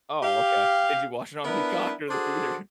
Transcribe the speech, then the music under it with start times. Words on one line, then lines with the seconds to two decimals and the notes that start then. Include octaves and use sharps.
Oh, okay. Did you watch it on Peacock or the theater?
0.23 G4 F5
1.44 B3 D4 E4 A#4 B4
2.09 D4 F#4 G#4 A4 C5